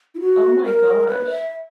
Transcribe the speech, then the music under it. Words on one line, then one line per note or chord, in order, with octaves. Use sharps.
Oh my gosh.
E4
F#4
A#4
B4
E5